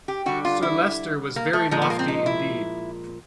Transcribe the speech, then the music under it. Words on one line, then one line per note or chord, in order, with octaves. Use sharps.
Sir Leicester was very lofty indeed.
G4
D3 G3 F#4
F4
E4
A#3
A3
A#2 F3 G#3
B3
A#3
C4
D#4
E4